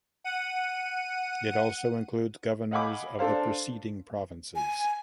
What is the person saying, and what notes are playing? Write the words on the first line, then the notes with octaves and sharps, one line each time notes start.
It also includes governors of the preceding provinces.
F#5 D#7
D#5 F5 F#5 G#5 B5 D6
D4 A4 C5 F5
G#5